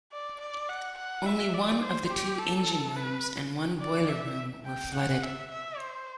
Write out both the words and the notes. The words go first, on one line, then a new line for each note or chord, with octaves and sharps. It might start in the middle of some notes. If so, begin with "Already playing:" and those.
Only one of the two engine rooms and one boiler room were flooded.
D5
D5
F#5
F#5
E5
D5
C5
G4
A4
B4
D5
E5
G5
F#5
E5
E5
C5